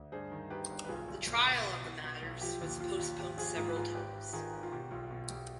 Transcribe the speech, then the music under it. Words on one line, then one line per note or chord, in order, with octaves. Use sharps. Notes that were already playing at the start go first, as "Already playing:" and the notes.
The trial on the matters was postponed several times.
Already playing: D2
G2 G#4 C5
D#3
D#3 G4 B4
G1
B4
B1 F4 G#4
B1
B1
B2
B2
B2
B2
B1
F3 G4
D#2
F3 F4
D#2
G#1 G4
F3 F4 G#4
G#2 F4 G#4
B4
G#2 F4 G#4
G#1 G4 B4
G#1
D#3 F4 G#4
G#1
F4
B2 G4
B1 F4
B2 F4
B1 G4